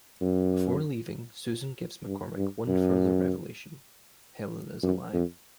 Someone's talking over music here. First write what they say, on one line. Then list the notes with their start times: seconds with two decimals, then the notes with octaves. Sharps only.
Before leaving, Susan gives McCormick one further revelation: Helen is alive.
0.21 F#2
2.06 G2
2.37 G2
2.68 F#2
4.83 F#2
5.14 F2